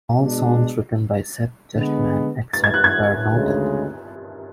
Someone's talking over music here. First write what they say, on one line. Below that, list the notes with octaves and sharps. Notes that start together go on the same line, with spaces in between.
All songs written by Seth Justman except where noted.
B2 G#3 D4
D3 G#3 B3
A6
G#6
F#6
G#6
D2 C#3 G#3